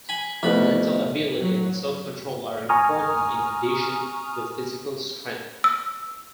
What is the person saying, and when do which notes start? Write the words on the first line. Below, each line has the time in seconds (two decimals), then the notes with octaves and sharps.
Mental ability and self-control are important in addition to physical strength.
0.09 G#5 B5
0.43 C2 F2 F3 A3 B3 B5
1.38 F#3
2.69 G#5 A#5 C#6 D#6 F6
5.64 E6